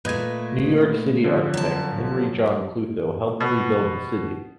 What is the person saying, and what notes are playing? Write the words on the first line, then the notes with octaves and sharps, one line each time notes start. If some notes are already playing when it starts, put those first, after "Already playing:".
New York City architect Henry John Klutho helped rebuild the city.
A#2 A3 B4 D#5 G#6
D3 F3 C#4
F#3 A5
B2